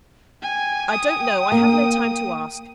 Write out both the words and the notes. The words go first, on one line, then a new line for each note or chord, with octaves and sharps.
'I don't know,--I have no time to ask.
G5 G#5
D#6
A#3